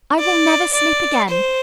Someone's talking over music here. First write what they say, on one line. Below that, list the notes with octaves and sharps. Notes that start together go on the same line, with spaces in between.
I will never sleep again.
D5
D5
C5